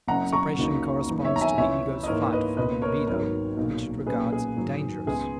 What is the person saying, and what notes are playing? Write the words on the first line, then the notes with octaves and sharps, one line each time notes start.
Suppression corresponds to the ego's flight from the libido, which it regards dangerous.
F#1 F#2 C#3 F#5 A#5
A#5 C#6
C#2 C#3 F#3 A#3 D#4
F#1 E2 D#3
C#5 E5
A#5
E5 G#5
C#2 C#3 E3 C#5 E5
D#5
G#2 E3 A#3 A#4 C#5
B4 D#5
C#2 B2 A#3 B4 D#5
A#4 C#5
G#1 G#2 F#3 B3 D#4 A#4 C#5
B1 A#2 A#3 D#4
B1 A#2 A#3 C#4 G#4 B4
G#4
G#2 D#3 F#3
C#2 C#3 G#3 B3 G#4